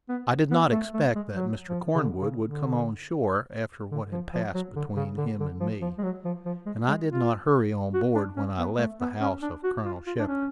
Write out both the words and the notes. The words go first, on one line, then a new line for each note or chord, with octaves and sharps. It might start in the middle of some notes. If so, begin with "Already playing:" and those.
I did not expect that Mr. Cornwood would come on shore after what had passed between him and me, and I did not hurry on board when I left the house of Colonel Shepard.
B3
B3
A3
A3
G#3
F#3
F3
C#3
D3
C#3
D3
D3
F3
F3
F#3
D3
C#3
D3
D3
F3
F3
G#3
F#3
F3
F3
G#3
G#3
F4
F#4
D4
C#4
B3
A3
B3
C#4
D4
F#4
F4
F4
D4
C#4